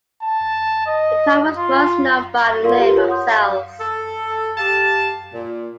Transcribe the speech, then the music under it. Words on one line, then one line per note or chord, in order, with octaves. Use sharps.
The town was once known by the name of Celles.
A5
D#5
F4
C#6
F4 A4 A#4 D5 F5 C6
G4 B4
F4 C#5
F#5 C6 D#6 G6
F5 G6
A4
G4 F5 A5
A#2